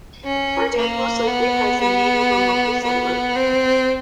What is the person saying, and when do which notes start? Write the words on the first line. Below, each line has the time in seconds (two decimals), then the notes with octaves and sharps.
Bardane most likely has the name of a local settler.
0.24 C#4
0.77 A#3
1.27 B3
1.81 B3
2.84 B3
3.36 C4